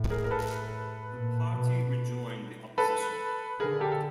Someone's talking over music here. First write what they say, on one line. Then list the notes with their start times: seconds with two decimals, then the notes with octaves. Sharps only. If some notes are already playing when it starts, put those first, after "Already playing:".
The party rejoined the opposition.
Already playing: A2
0.10 G#4 A#4
0.24 A#4
0.31 A4 B4
1.13 A#2
1.54 B2
2.78 A4 B4
3.60 D3 G#4 A#4
3.80 G4 A4
3.92 A4